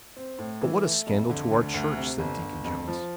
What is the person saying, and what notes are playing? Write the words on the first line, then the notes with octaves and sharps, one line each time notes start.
"But what a scandal to our church!" said Deacon Jones.
C4
A2
E3
A3
F2
D3
D2
D2
C3
G1
G1
F2
F3